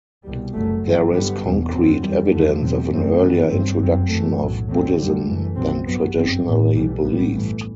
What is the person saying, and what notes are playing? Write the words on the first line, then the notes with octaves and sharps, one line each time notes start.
There is concrete evidence of an earlier introduction of Buddhism than traditionally believed.
C2 B2 G3
F#1 F#2 F#3 A3
G2 F#3 C4
G2 D3 G3 B3
F#1 E2 B2
F#2 F#3 C4
F#2 E3 G3
E2 D3 A3
E2 B2 F#3 C4
F#1 F#2 F#3 A3 C4
G1 F#2 E3 B3
G1 G2 F#3 C4
F#1 F#2 F#3 C4
F#2 E3 A3
B1 A2 F#3
E2 D3 F#3 A3 C4
F#2 D3 G3
F#1 F#2 E3 A3
B1 B2 F#3 C4
G2 F#3 B3
G1 F#2 F#3 C4
A1 A2 E3
B1 A2 E3 G3
A1 A2 G3 B3
G1 G2 E3 A3